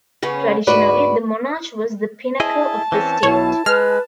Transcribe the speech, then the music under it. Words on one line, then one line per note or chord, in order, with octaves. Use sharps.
Traditionally, the monarch was the pinnacle of the state.
C#3 B3 C#4
D2 G#2 F#4 B4 D5
E4 G#4 D#5 A5
E3 C4 C#4
B1 B2 E4 C#5
G#3 B4 F6